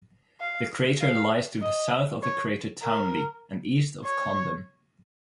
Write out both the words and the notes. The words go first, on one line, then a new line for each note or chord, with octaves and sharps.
The crater lies to the south of the crater Townley, and east of Condon.
F5
F5
D#5
C#5
A#4
C#5